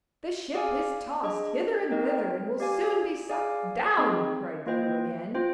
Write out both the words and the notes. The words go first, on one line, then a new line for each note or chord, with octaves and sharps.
'The ship is tossed hither and thither, and will soon be sucked down,' cried the crew again.
G#4 D5 F5 G#5
D4 G#4 D#5
C4 D#4 A#4 D#5 G5
G4 D5 F5 G#5
G#4 D5 F5 G#5
C4 D#4 G#4 D#5
A#3 F4 C5 D#5 G5
F4 C5 G5